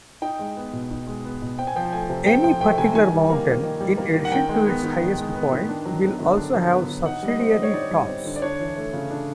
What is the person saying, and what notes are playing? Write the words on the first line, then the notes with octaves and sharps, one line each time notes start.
Any particular mountain, in addition to its highest point, will also have subsidiary "tops".
D#4 G5
G#3
B3
B2
D#4
G#3
B3
B2
C4 G5
G#5
F3 G5
A3 G#5
C3
C4 G5
F3 G5
A3 G5
C3 G#5
D#3 G#5
G3
A#3
D#3
D#3
G3
A#3
D#3
F#5
D#3 G5
G#3
B3
D#3
D#3
G#3
B3
D#3
D4
F#3
B3
D3
D4
F#3
B3
D3
D#4 F#5
G3
D#5
C4
D#5
D3
C#5
D#4 D5
G3
C4
D3
D5
D4 C#5
E3
A3
C#3
D4